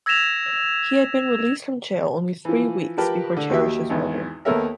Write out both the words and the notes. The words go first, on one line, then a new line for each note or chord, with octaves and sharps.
He had been released from jail only three weeks before Cherish’s murder.
E6 G#6 A#6 B6 E7 F7
E3 F3
F3 G4 A#4 B4 G5 A5
D3
D#2 F#3 G4 E5
G#1 E2 B3
D#2 B3 A4 A#4 C#5 E5